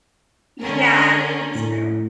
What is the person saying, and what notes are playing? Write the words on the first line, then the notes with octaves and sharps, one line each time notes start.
Yeah, that's true.
D3 C#4 A#4
A2